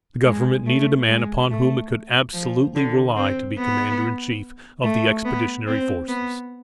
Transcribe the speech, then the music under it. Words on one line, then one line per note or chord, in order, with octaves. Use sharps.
The Government needed a man upon whom it could absolutely rely to be Commander-in-chief of the Expeditionary Forces.
G#3
A3
G#3
A3
F3
D3
C4
B3
A3
B3
C4
B3